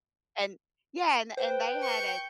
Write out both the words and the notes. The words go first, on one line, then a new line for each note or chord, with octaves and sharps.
and yeah, and and they had a
B4 C5 G5
C#6 G6